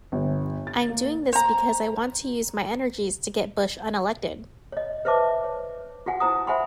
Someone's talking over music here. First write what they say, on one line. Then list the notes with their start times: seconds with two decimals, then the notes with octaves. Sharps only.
I'm doing this because I want to use my energies to get Bush unelected.
0.12 G1
0.67 A6
0.89 A#3
1.33 C5 A#5
4.72 C#5 D#5
5.05 B4 C5 E5 A5 D6
5.44 C#5
6.06 F4 F#4 F#5 G#5
6.20 E4 C5 A#5 D#6
6.47 C5 E5 F#5 G#5 B5 C6